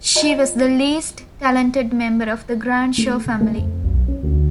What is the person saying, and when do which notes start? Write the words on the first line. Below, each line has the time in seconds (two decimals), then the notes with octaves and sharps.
She was the least talented member of the Grantzow family.
0.16 F4 D#5 G5
2.98 A3
3.26 C#3
3.41 A3
3.58 F2
3.84 B1
4.08 C#4
4.23 D2